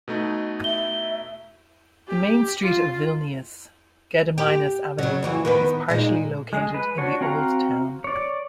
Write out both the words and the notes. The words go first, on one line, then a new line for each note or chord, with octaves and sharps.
The main street of Vilnius, Gediminas Avenue, is partially located in the Old Town.
B2 A3 D#4
E5 G7
G4
F4
G4
C#3 F#3
F2 E3 F#4
D#3 B3 B4
A#2 G#3 D#4
G#3 G#4
B4
D4 F#4 C#5
C4 F#4 F5 A#5
C#5 D5